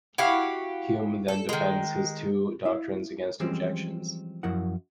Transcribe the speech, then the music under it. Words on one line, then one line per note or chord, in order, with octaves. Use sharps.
Hume then defends his two doctrines against objections.
E4 F#4 G4 F5
A4
D#3 G#3
E4 F5
E3 F3 G3 G#3 C4 C#4
F#2 F3 E4 A#4 F#5